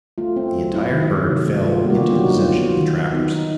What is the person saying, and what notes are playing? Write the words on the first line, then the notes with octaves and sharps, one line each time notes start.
The entire herd fell into the possession of the trappers.
A3 F4
C4
F#3
E4
D#3
F#3
C3
A3
G3 F4
A#3 F#4
G3 G4
D3 F4
F#3 F#4
D#4
F#3 F4
B3
D#3
D#4
B3
D#4